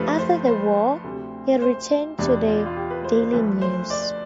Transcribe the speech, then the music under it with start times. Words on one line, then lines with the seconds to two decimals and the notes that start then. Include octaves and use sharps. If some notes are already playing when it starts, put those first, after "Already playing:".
After the war, he returned to the "Daily News".
Already playing: G2 F3 A3 B4
0.19 C5
0.47 C5
1.04 D2 C3 G3
1.62 C5
2.19 E2 B2 G3 D4
2.47 F4
2.66 F4
2.76 G4
2.90 B4
3.04 C5
3.19 C5
3.33 D2 D3 F3 A3 B4
3.62 C5
3.90 D5